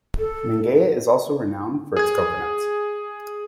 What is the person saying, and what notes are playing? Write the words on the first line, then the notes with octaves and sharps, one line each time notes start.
Mangaia is also renowned for its coconuts.
A4
G#4 G#6